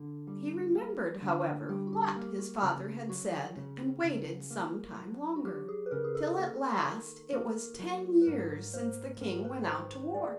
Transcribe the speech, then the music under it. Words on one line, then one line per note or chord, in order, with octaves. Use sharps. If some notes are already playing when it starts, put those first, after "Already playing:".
He remembered, however, what his father had said, and waited some time longer, till at last it was ten years since the king went out to war.
Already playing: D3 A4
G3
A#3
D3
G3 G4
F#4
G4
A#3 G4
F#4
C#3 F#4
F#3 F#4
C#3
C#3
A#3
F#3
F#4
F#3 G4
G#4
B4
C#3 A#4
G#4
A4
A#3
D#3
A#3
F#3
B4
G#2 A#4
A#3 C5
G#2 A#4
B4
D#3 C5
G#3 D5